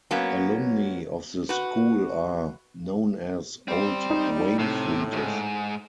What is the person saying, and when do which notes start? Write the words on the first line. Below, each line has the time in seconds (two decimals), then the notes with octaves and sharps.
Alumni of the school are known as "Old Waynfletes".
0.11 F#3 A#3 B3 C#4
1.49 F#4 B4
3.68 G3 C4 C5
4.10 D#4
4.59 A2 C3
5.13 D#2 G#2